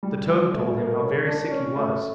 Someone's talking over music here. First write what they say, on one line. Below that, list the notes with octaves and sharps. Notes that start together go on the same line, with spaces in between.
The toad told him how very sick he was.
G3
G3
A3
A#3
C#4
D4
C#4
A3